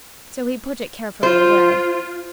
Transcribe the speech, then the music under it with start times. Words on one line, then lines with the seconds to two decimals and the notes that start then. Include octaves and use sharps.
So he put it carefully away.
1.23 F4 C5